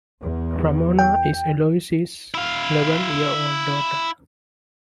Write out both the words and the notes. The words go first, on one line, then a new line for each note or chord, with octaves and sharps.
Ramona is Eloise's eleven-year-old daughter.
E2
G5
E4 F5